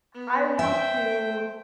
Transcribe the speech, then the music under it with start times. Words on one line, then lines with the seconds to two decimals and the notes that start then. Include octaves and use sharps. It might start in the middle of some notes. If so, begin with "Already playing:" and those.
I want to
0.14 B3
0.59 C5 E5 G5